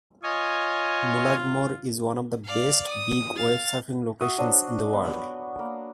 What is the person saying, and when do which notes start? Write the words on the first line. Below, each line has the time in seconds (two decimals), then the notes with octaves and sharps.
Mullaghmore is one of the best big wave surfing locations in the world.
0.23 F4 C#5 D#5 G#5
2.45 D5 F5
2.89 D#6
3.36 F5 A6
4.21 F#4 E5 F#5 D#6
4.38 F#3 D4 C5 D#5
4.93 B3
5.59 A#3